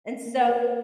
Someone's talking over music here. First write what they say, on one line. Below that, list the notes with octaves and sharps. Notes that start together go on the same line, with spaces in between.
and so
A#3